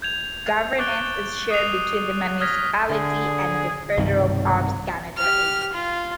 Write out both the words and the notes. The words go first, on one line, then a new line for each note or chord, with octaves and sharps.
Governance is shared between the municipality and the federal Parks Canada agency.
G6 G#6 F7
C#6 D6 F#6 A6 D7 G7
D#6 F#6 C7 D#7 F7
D#6 F6 G#6 A#6 B6
D3 G#4
B1 G2 C3 D#3
G4 F6
F4